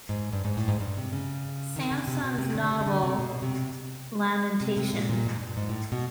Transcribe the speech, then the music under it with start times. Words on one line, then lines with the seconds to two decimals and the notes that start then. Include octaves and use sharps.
Sansom's novel "Lamentation".
0.09 G#2
0.33 G2
0.45 G#2
0.57 A2
0.68 G#2
0.80 G2
0.97 C3
1.13 C#3
1.76 D#3
1.91 C#3
2.08 C3
2.24 B2
2.38 C3
2.55 D3
2.71 D3
2.81 C#3
2.87 D3
3.03 C3
3.19 B2
3.42 C3
4.61 C3
4.77 C3
4.93 A#2
5.09 A#2
5.25 G#2
5.41 G2
5.57 G#2
5.69 A2
5.92 B2